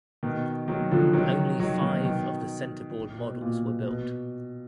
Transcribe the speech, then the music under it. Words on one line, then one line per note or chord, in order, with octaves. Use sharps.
Only five of the centerboard models were built.
B2 D#3
D#3 F#3
D3 F3
D#3 F#3
D#3 F#3
B2 D#3
B2 D#3
B2
A#2
B2
B2